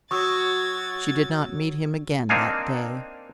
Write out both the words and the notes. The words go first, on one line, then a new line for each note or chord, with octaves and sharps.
She did not meet him again that day.
F#3 F#4 C#6 D#6 E6 G#6 A6
A#3 C4 D4 D#4 F5 G#5